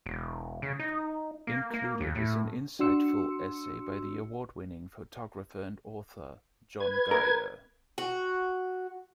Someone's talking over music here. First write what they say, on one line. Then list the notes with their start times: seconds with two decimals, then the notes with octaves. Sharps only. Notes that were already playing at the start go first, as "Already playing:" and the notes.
Included is an insightful essay by the award winning photographer and author, John Guider.
0.06 E1
0.62 C#3
0.79 D#4
1.47 A#3
1.74 A#3
2.00 D#2
2.15 A2
2.79 D4 F#4 C6 E6 C#7
6.80 B4 G#6
7.11 A#4
7.98 F#4